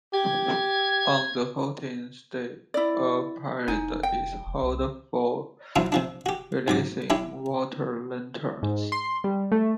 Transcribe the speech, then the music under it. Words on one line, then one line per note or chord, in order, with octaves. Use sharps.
On the fourteenth day, a parade is held for releasing water lanterns.
G4 G#6
E4 D5
F1 D#4 G#5
G5
F1
C2
F3 F#3 D4 E4 F4
C3 F3 D4
F#4 G4
G#2 F#3 D6
D4 E4 G4 C#5
G#2
C6
G3
A3